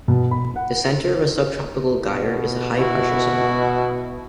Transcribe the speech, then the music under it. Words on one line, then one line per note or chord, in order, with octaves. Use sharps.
The center of a subtropical gyre is a high pressure zone.
B2
B5
F#5
B2
E4 F#4